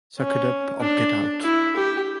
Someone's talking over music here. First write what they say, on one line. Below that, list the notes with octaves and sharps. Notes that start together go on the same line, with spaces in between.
Suck it up, or get out.
C#4
D4
E4
G4